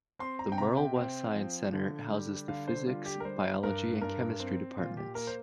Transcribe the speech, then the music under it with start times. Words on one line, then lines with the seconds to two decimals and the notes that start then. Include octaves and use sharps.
The Merle West Science Center houses the Physics, Biology, and Chemistry Departments.
0.19 C4 C6
0.39 A#5
0.52 G5
0.58 C3 A#5
0.77 G5
0.96 C4
1.35 F3
1.72 D3
2.11 G3
2.48 D3 F5
2.68 C5
2.87 G3 F4
3.06 G4
3.20 A#4
3.25 G3 C5
3.63 G2 A#4
4.01 G2 A#4
4.40 C4
4.78 A#2 F4
4.97 G4
5.15 A#3 A#4
5.27 C5